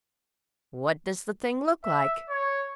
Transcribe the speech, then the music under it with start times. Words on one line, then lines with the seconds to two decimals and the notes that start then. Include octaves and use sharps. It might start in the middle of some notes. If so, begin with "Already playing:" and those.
"What does the thing look like?"
1.84 E5
2.29 C#5